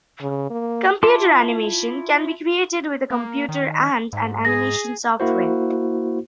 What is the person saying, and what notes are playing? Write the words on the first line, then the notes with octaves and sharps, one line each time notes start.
Computer animation can be created with a computer and an animation software.
C#3
A#3
E4 F4 A5 C6 D6
A#3
D#3
G#2
G#4 A#6
A#3 E4 F#4 C5